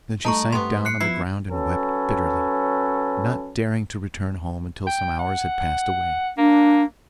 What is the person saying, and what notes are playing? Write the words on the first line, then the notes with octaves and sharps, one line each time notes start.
Then she sank down on the ground and wept bitterly, not daring to return home until some hours had passed away.
G3 A3 D#4 A5 A#5 C#6
G2 C3 G3 A3 B3 C6
F#6 C7 C#7
F3 B3 E4 C7
F#3 C#4 A4 B4
G5
F#5
A#3 D4